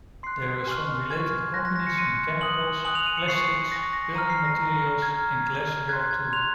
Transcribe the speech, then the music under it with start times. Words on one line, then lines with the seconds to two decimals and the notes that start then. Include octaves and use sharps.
There are some related companies in chemicals, plastics, building materials and glass ware, too.
0.23 C6 F#6 C7
0.67 G#5 C#6 F6
1.10 G#5 C#6 F6 G#6
1.54 G#5 C6 F#6 A#6
1.65 A#6
1.76 A#6
1.87 C#7
1.98 G#5 C6 F#6 D#7
2.41 G#5 D#6 F#6 F#7
2.85 G#5 D#6 F#6 F#7
2.95 F7
3.07 D#7
3.17 C#7
3.28 G#5 C#6 F#6 C7
3.72 G#5 C#6 F#6 A#6
3.93 A#6
4.15 A#5 F6 D#7
4.30 C7
4.44 A#6
4.58 A#5 F6
5.02 A#5 F6 G#6
5.46 A#5 F6
5.89 C6 F#6 G#6
6.11 G#6
6.33 C6 F#6 F7